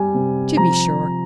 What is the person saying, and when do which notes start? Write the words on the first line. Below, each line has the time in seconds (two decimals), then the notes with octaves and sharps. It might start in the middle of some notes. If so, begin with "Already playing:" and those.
'To be sure!
Already playing: G3 G#5
0.14 C3
0.57 F3 A#5